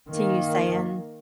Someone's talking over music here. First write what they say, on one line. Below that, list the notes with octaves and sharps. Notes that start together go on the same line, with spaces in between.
to you saying,
D#3 A#3